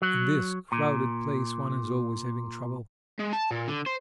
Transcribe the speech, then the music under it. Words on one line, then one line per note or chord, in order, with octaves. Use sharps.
In this crowded place one is always having trouble.
F#3
A#2
G#3
A5
A#2
D3
C5